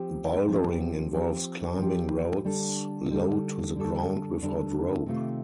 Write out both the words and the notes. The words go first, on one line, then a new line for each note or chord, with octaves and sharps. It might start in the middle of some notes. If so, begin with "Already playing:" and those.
Bouldering involves climbing routes low to the ground without rope.
Already playing: F3 C4 G4
F3 C4 G4
F3 C4 G4
F3 C4 G4
D3 G3 D4 A4
D3 G3 D4 A4
D3 G3 D4 A4
D3 G3 D4 A4
C3 D#3 A3 C4 F4